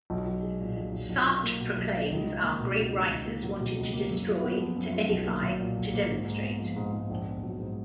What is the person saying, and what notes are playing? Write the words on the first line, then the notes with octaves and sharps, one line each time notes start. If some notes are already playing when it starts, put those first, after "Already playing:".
Sartre proclaims, our great writers wanted to destroy, to edify, to demonstrate.
B1
B1
G#3
A#2
B1
B1
B1
F4
A#3
B2
B1
F4
C#2
D#4
A#3
B2
C#2
D#4
C#2
A#3
F#3
B2
C#2
A#3
F#2
F4
B3
F3
F#2
F4
B1
A#3
F#3
A#2
B1
A#3
G#2
G#2
B3
F3
G#2
G#2
A#1
B3
F#3
G#2